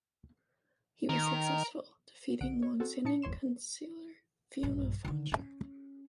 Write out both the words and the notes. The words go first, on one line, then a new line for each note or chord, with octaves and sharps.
He was successful, defeating long-standing councillor Fiona Faucher.
D#3 A#4
B1 D3 F#5 D7
C#5
C4 F#4 A4
A#2 D#4 A5 C#7
G1 E2 C#5 C6 E7
A#1 G2
D3 D#3
C#4